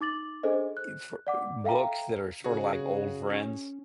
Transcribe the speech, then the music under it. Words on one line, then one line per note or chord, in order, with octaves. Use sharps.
e for uh, books that are sorta like old friends.
D#4 D6 A6 F#7
D4 G#4 A4 C5 D#5
F#6
D5 F#5 D6
A4 E5 F5 G5 A#5
C#3 F#4 G#4
C#4